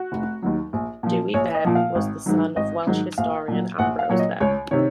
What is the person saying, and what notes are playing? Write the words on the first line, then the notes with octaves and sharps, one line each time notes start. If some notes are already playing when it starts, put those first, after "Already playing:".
Dewi Bebb was the son of the Welsh historian Ambrose Bebb.
Already playing: F#4
F1
D#2 D#3 F#3
A#1
A#2 F3
A#1 C#5
D#5
A#2 F3
F5
G#1
G#2 D#3 F#3
G#1 D#5
G#2 D#3 F#3
A#1 F5
A#2 F#3
A#1 F#5
F5
A#2 F#3 C#5
D#5
C#2 C#5
C3 D#3 C#5